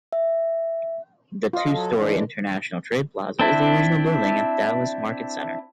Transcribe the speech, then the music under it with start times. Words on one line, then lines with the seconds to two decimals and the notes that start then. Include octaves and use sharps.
The two-story International Trade Plaza is the original building at Dallas Market Center.
0.13 E5
1.53 F4 D#5
1.73 F#3 A4
1.97 E3 G#3 D4
3.39 C4 D4 E4